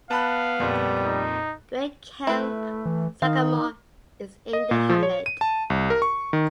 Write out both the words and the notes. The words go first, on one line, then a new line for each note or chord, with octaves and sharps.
Great Camp Sagamore is in the hamlet.
B3 F5 A5 B5 F#6
F2 A#2 G3
D#4
A3 E4 B4
E3
D#3 D#4 F5
D#5
A#2
F3
C#5
D#7
A5
C2
A#4
C#6
D#3